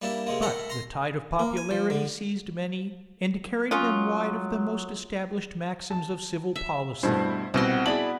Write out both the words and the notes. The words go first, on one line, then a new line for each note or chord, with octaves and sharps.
But the tide of popularity seized many, and carried them wide of the most established maxims of civil policy.
G3 A#3 D4 E4
C3 G#3 A#3
A4 A#4 E5 F#5 B5
A#5 C6
A#3
G#5
F3
D3
F#3 C#4 F4 C#6 D#6 F#6
A5
E5
G2 B2 A3 E4 C5
C2 B2 C4 F#4 C6
B3 E4 G#4 D5 A5 B5